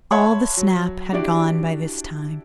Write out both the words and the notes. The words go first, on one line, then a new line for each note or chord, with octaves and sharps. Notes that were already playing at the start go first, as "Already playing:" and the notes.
All the snap had gone by this time.
C#5 E5 F#5 A5 B5 C6
F#3
D4 E4 F#4 G4 D5